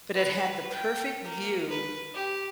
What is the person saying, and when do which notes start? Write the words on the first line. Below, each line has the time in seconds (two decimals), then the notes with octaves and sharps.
but it had the perfect view
0.14 B4
0.71 G5
1.24 A#3
1.70 B4
2.14 G4